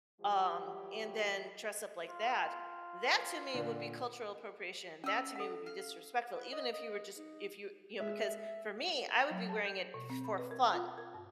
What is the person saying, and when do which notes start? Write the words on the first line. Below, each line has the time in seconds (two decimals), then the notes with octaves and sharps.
um, and then dress up like that, that to me would be cultural appropriation, that to me would be disrespectful even if you were just if you you know, because for me, I would be wearing it f for fun.
0.21 E3 F#3 G3 F4 G4
2.08 F4
3.54 A#2 D3
5.04 C#4 D#5 E6
5.36 A4 F#5
5.66 F5
6.38 B4
6.52 D#5
6.73 D#5
7.17 D#4
8.00 G#3 E5
9.31 F#3
9.49 A5
9.65 G6
9.94 B2
10.10 C4
10.24 B5
10.38 B4
10.51 A#4
10.73 F4
10.98 A#4
11.14 G2